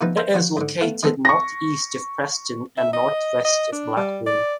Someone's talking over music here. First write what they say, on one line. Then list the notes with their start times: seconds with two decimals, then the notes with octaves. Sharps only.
It is located north-east of Preston and north-west of Blackburn.
0.01 C3 F3 B3 D#4 B4
0.17 A#4 C5 E5 F5 G5
0.34 F3 C4 F#4
0.57 G#2 D3
0.81 A3 B3 F5
1.03 D#3 G#3 B3 C4 G#4 A4
1.25 C#6 A#6
2.77 E5
2.93 D#5
3.44 D#5
3.72 D4
3.96 G3
4.26 D5